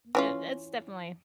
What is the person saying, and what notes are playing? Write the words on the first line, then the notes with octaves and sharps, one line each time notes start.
that that's definitely
E3 C#4 F4